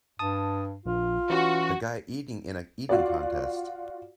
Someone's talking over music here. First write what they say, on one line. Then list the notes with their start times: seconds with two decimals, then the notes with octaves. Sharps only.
A guy eating in a eating contest.
0.19 G2 A5 D#6
0.86 A#1 F4
1.30 E3 C#4 F#4
2.89 F4 F#4 D5